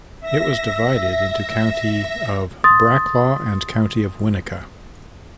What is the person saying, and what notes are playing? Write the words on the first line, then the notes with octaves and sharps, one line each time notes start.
It was divided into County of Braclaw and County of Winnica.
E5 A#6
C6 D#6 A6